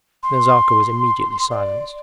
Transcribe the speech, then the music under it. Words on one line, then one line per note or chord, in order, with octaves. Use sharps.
Nazarka was immediately silenced.
C6
D5